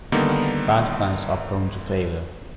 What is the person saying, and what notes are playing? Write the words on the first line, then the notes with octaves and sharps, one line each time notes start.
Bad plans are prone to failure.
D3 D#3 G3 A#3 B3 D#4